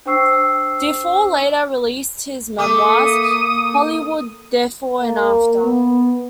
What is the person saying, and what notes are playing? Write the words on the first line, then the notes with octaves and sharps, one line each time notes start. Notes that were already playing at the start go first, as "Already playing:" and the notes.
DeFore later released his memoirs, "Hollywood DeFore and After".
D4 C5 G5 C#6 E6 C7
A3 A#3 D6 D#6
A#3
B3